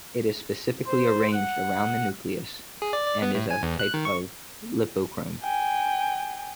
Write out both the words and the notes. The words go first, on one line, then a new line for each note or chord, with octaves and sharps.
It is specifically arranged around the nucleus, and is a type of lipochrome.
C5
F#5
G#4
D5
D5
B3
A2
G#5
E2
F#6
D#3
C#6
G5 G#5